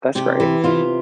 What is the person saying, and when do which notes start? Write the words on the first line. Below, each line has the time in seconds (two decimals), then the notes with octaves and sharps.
That's great.
0.15 C3 G4
0.40 E3
0.64 C3 F4